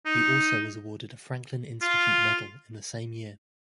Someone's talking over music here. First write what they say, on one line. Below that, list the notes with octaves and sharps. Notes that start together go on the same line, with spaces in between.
He also was awarded a Franklin Institute Medal in the same year.
D#4
F4